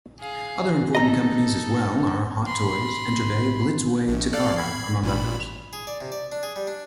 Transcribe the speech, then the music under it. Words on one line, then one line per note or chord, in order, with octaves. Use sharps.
Other important companies as well are Hot Toys, Enterbay, Blitzway, Takara among others.
G#4 F5
D#4 A4 D#5 A#5
B5 C6
A#1
A4 D5 F5
B5 G#6 C7
A1 A#2 B5
G#4
D5
C3
D5
D4
G#4
G3
D4